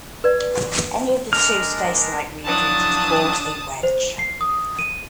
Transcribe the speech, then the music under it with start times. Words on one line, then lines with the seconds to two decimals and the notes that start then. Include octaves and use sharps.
Any of the two spacelike regions is called a wedge.
0.24 B4 D5
1.33 G#3 D4 A#4 F6
2.45 F3 F#3 D4 E4 A5 D#6
3.83 C5
4.19 C7
4.41 D#6
4.79 D#7